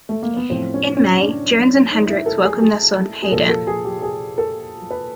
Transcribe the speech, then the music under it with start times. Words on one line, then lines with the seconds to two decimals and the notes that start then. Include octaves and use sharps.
In May, Jones and Henricks welcomed their son, Hayden.
0.09 A3
0.23 A#3
0.36 B3
0.50 A2 F3 C4
0.74 C#4
0.97 C#4
1.20 D4
1.91 D#4
2.08 E4
2.26 A4
2.44 G#4
2.62 G#4
3.22 G#4
3.32 A#2 F3 A4
3.49 A4
3.67 G#4
3.85 G4
4.02 G#4
4.38 A4
4.91 B4